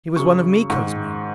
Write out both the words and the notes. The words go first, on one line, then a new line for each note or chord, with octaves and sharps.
He was one of Miko's men.
F#2 C#3 C#6
G#2 D#3 C#6